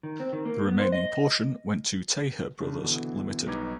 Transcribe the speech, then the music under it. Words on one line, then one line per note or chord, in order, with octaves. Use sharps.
The remaining portion went to Taher Brothers Limited.
D#3
C4
D#3
A#3
B3
C5
D#5
C#3 D4
B2 D3 E3
B1 G3 D#4 B4 D6 G#6